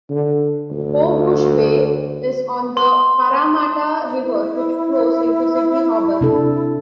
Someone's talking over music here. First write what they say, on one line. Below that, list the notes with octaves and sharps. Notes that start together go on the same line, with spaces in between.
Homebush Bay is on the Parramatta River which flows into Sydney Harbour.
D3
D2
C6
E4
C3 D4 A4